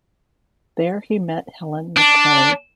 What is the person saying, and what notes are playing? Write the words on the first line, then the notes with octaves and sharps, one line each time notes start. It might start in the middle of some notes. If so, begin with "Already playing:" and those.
There he met Helen McClay.
D4